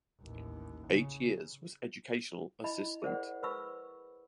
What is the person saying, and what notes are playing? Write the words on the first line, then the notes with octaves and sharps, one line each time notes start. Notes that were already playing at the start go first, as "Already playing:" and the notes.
Eight years was educational assistant.
A1 D#2
C#3
E4 D#5 B5
G#4 A#4 C5 D5 F#5
B4 C5 B5 C#6 E6